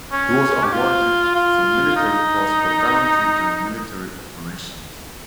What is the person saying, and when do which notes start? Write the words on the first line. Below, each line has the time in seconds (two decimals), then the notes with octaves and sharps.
He was awarded the Military Cross for gallantry during military operations.
0.12 C#4
0.64 G4
0.73 F4
1.36 F4
1.96 D#4